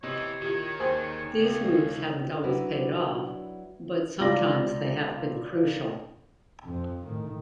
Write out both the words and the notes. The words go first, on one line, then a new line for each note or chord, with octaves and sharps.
These moves haven't always paid off, but sometimes they have been crucial.
C3 E3 C#5 D#5
A#2 D#3 E4 G4 G#6
D#2 G#4 C5 C6
C#2
F#3 D4 E4 F#4 B4 D5
C#2 F4 D5 A#6
F2 F3
A2 D#3